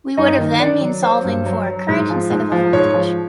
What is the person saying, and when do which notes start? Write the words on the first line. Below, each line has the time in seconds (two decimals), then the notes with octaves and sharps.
We would have then been solving for a current instead of a voltage.
0.17 G2 D#4 D#5
0.39 D#3
0.60 D#3 D4 D5
0.81 F#3
1.03 F#3 C5
1.24 G2
1.46 F#3
1.66 F#3
1.89 G#2
2.10 F3
2.30 G#2
2.52 F3
2.73 G#2 C#5
2.94 F3